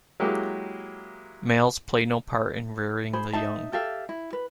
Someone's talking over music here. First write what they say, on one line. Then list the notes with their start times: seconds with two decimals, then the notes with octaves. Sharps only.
Males play no part in rearing the young.
0.20 F#3 G#3 A#3 E4 G4
3.13 G#4 C5 B5
3.33 D#4 E5 A5
3.72 G4 A4 E5 F5
4.09 E4
4.33 B4